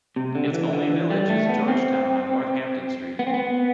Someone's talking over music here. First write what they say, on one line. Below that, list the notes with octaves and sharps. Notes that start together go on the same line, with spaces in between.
Its only village is Georgetown on Northampton Street.
C3
D3
D3
E3
D3
E3
G3
A3
B3
C4
B3
C4
B3